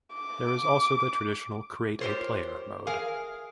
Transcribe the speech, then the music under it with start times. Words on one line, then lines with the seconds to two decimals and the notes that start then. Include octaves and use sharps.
There is also the traditional create-a-player mode.
0.14 D6
2.00 F4 G4 A4 A#4 C5 C#5
2.87 G#4 A#4 F5 G#5